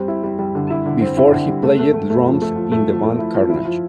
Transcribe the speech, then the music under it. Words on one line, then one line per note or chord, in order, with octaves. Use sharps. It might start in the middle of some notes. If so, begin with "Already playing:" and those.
Before he played drums in the band Carnage.
Already playing: G3 C4
E4
G3
G3
D3
E4
D3
C4
E4
D3
G3
A3
A3
A3
A3
F3
A3
F3
A3
F3
A3
E4
F3
E4
F3